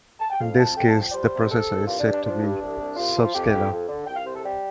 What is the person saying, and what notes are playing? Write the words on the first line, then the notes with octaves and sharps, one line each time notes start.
In this case, the processor is said to be "subscalar".
A5
G5
F2 F5
F2 A5
F2 G5
A5
F3
G5
D5
G3 C5
C3
C3 A4
C2
G2 F4
D4
G2
D4
F3 D4
G2
C2
C2
C2 F4
F3
F2 G4
F2
F2
D3
C2 G5
F5
C3 C5
A4
G3 G4